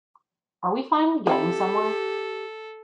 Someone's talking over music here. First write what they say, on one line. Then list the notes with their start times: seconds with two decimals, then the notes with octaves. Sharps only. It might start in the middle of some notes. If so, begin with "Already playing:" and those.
Are we finally getting somewhere?
1.27 F3 C4 E4 G4 A4